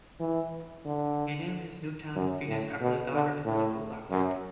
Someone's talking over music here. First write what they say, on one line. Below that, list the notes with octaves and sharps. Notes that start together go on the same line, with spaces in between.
He named his new town "Venus", after the daughter of a local doctor.
E3
D3
F#2
A2
B2
D3
A2
F#2